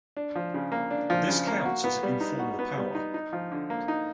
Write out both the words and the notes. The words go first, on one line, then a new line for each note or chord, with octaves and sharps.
This counts as informal power.
D4
F3
C#3
A#3
D4
F3
C#3
A#3
F#4
B3
G3
D#4
F#4
B3
G3
D#4
D#4
F3
D3
A#3
D#4